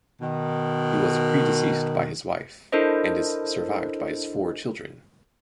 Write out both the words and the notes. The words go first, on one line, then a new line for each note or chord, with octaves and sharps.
He was predeceased by his wife and is survived by his four children.
B2 D#3
D4 E4 A4 A#4 C5 D#5